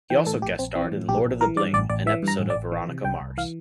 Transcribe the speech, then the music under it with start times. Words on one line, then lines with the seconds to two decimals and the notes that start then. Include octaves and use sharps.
He also guest-starred in "Lord of the Bling", an episode of "Veronica Mars".
0.10 E3 G5
0.26 A2 A4
0.42 A#1 G4
0.59 A#1 C4
0.75 E3 C4
0.92 A2
1.08 A#1 G4
1.25 A#1
1.41 E3 A#4
1.57 G2 D5
1.73 A1 D5
1.89 A1 D5
2.06 E3 E5
2.23 G2 A#5
2.39 A1
2.50 D5
2.55 A1
2.72 E3
2.88 C3
3.04 C2 G5
3.21 C2
3.38 E3 F5